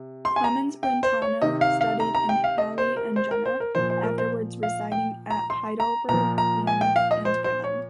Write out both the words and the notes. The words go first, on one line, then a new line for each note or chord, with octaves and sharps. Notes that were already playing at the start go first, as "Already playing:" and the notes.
Clemens Brentano studied in Halle and Jena, afterwards residing at Heidelberg, Vienna and Berlin.
Already playing: C3
C6
G#5
A#5
G5
C5
C#5
C3 D#3 D#5
F5
F5
A#5
A#5
G5
F5
D#5
C5
A#4
C5
A#4
C5
A#4
A#2 F3 C5
C5
A#4
C5
F5
G5
A#5
C6
A#5
A#2 F3 A#5
A#5
G#5
G5
F5
D#5
C5
C5
C#5